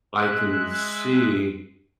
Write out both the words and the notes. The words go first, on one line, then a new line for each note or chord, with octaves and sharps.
I can see
G#3 E5 F#6